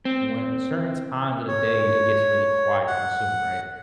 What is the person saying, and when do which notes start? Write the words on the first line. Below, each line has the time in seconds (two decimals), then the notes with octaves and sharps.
when certain times of the day it gets really quiet, I'm assuming, right?
0.05 C4
1.48 C#5
2.87 F#5